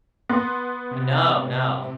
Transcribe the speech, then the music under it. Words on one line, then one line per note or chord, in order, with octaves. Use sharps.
No, no.
B3 C6
C3